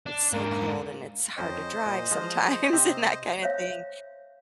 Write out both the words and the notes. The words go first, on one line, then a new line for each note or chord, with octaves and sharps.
it's so cold and it's hard to drive sometimes and that kinda thing.
D4
G#2 A#3 D4
F2 C#4 C5 D#5 G5
A#2
F3 G#3
C3 C4 G4
C5 C#5 E5 F5